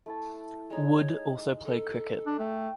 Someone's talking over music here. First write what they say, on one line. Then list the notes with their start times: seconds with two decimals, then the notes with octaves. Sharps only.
Wood also played cricket.
0.06 A3 E4 A5
0.70 G#3 D#4 C#5
1.65 A4
2.27 D4
2.39 A3 G5